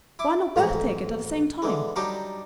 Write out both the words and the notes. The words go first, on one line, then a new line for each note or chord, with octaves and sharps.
"Why not both take it at the same time?"
E4 D6
A1 F2 G#2 F#4 A#5
D3 E3 G#3
F#3 G3 D4 D#4 F#4 G4